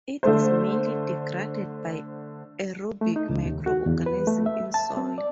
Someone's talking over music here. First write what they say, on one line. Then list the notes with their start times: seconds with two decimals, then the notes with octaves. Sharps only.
It is mainly degraded by aerobic microorganisms in soils.
0.23 D3 A3 C5
3.01 A3
3.16 D#4
3.30 C#2
3.46 D#2
3.66 F#4
3.86 E2
4.06 B4
4.27 A3
4.46 E5
4.74 A5
4.97 C4
5.18 D5